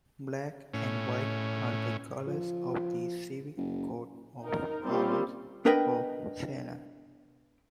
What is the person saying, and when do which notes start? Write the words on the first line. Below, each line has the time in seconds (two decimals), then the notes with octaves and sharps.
Black and white are the colours of the civic coat of arms of Siena.
0.74 A2 C#4
2.27 F3
3.57 F#1
4.44 D#4 A#4
4.86 G3 A#3 C4 C#4 F4
5.65 B3 D4 A#4 B4 D#5 G5